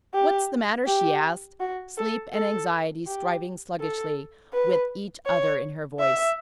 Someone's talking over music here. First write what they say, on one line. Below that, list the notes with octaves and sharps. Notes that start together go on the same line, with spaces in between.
"What's the matter?" she asked, sleep and anxiety striving sluggishly with each other in her voice.
G4
G4
F#4
A4
A4
G4
A4
B4
C#5
E5